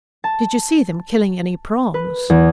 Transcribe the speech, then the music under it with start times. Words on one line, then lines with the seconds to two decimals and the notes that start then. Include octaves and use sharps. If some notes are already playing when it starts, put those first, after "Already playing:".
"Did you see them killing any prawns?"
0.24 A5
1.94 B4
2.30 E2